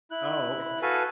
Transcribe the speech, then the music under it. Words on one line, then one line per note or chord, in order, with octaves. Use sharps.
Oh, okay.
E4 F#6
F#4 A4 B4 F5 G#5